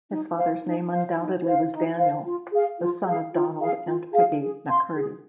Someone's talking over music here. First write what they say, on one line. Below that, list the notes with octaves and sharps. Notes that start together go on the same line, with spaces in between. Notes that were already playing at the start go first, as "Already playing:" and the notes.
His father's name undoubtedly was Daniel, the son of Donald and Peggy Mackirdy.
D#4
C5 F5
D#4
C5 F5
D#4
C5 F5
D#4
C5 F5
F4
G#4 F5
F4
G#4 F5
F4
G#4 F5
F4
G#4 F5
G#4
F5 C6
G#4